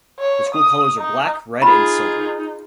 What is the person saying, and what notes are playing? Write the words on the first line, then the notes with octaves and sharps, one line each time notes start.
The school colors are black, red, and silver.
C#5
D#6
D#4
D#4 F4 G#4 B5